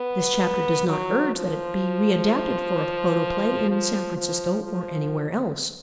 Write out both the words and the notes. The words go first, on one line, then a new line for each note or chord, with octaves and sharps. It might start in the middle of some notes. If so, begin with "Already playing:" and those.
This chapter does not urge that it be readapted for a photoplay in San Francisco or anywhere else.
Already playing: B3
F#3
F3
F3
F3
F3